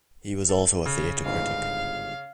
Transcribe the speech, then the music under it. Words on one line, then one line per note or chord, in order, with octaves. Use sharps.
He was also a theatre critic.
A4
C#3
G1 G#2 F5